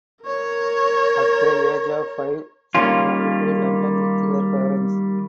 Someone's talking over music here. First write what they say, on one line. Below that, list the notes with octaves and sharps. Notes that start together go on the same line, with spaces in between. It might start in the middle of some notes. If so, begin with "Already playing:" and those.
At the age of five she moved to London with her parents.
A#4 C#5
D#3 G3 A#3 C#4 F4